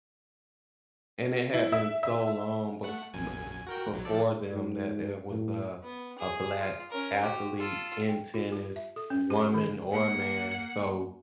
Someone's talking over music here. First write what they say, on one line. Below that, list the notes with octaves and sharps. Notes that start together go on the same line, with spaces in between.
And it had been so long be uh, before them that there was a a Black athlete in tennis, woman or man, so
E4
E5
E5
A3 F#5 F#6
A#1 F#2 G#5
F#4 A#4 G5
B1 F#3
F3 A4 D5
G#2
A2
B3
G#4
F4
C#4 A#4
F#4 G4
F4 A4
G5
F4
G4
E5
A4
C#4
G4
D#3
A#3 F#5